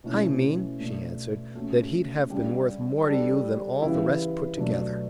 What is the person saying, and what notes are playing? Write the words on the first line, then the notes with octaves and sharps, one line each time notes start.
"I mean," she answered, "that he'd have been worth more to you than all the rest put together."
B2 A3 C#4 E4
B2 A3 D4
A3 C#4 F#4
C#3 G3 D4 G4
G3 D4 A4
C#3 E3 B3 E4 G4
B2 F#3 A3 D4